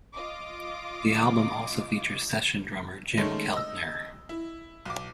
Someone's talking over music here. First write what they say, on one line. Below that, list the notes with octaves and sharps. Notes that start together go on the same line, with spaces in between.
The album also features session drummer Jim Keltner.
F4 D#5 D6
D#3 G#3 A3 C#4
D#5 E6
E4
B1 D6